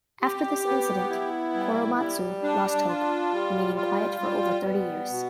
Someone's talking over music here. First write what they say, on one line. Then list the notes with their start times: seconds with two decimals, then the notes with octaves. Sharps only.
After this incident Korematsu lost hope, remaining quiet for over thirty years.
0.22 G4
0.66 B3
1.10 E4
1.54 G3
1.99 G3
2.43 D4
2.88 F4
3.32 G3
3.76 F4
4.21 G3
4.65 B3
5.10 B2